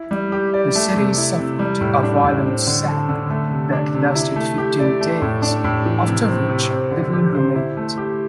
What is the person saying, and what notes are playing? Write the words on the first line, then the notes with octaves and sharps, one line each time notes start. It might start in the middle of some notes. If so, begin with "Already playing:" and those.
The city suffered a violent sack that lasted fifteen days, after which little remained.
Already playing: E4
G3
G4
D5
A3
C3
E4
C3
G3
A2
D4
A2
C4
D3
A4
D3
A3
C3
D4
C3
E4
A3
G4
D5
A3
A2
D4
A2
E3
C3
C4
C3
C4
D3
G4
C5
E4
A3
G4